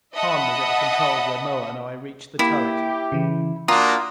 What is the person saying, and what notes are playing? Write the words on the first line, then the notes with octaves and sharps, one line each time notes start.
Hahn was at the controls when Moa and I reached the turret.
D#5 E5 F#5 A5 B5 D#6
A#3 E4 G4
C#3 E3
A#3 D4 F4 F#4 A#5 D#6